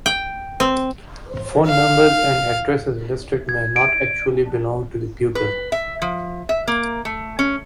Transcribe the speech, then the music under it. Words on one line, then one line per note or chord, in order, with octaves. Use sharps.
Phone numbers and addresses listed may not actually belong to the pupil.
G5
C4
F5
G#6
D7
B4
E5
F3
E5
A#3
A3
C#4